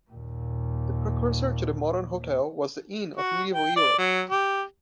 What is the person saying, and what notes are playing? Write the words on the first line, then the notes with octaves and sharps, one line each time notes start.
The precursor to the modern hotel was the inn of medieval Europe.
D#2 A#2
F#4
G5
D5
F#3
G4